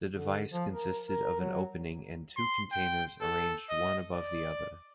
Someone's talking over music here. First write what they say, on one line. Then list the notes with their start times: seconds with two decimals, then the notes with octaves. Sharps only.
The device consisted of an opening and two containers arranged one above the other.
0.11 D3
0.53 F3
0.70 A#4
1.07 A#4
1.40 F#3
2.37 C6
2.72 G5
3.21 A4
3.70 D#5
4.14 D5